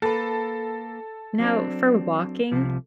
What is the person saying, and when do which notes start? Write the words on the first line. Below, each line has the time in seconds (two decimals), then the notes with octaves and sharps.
No, for walking,
0.02 A#3 A4 B4
1.40 F#3 C4 D4
2.52 C2 C3 F3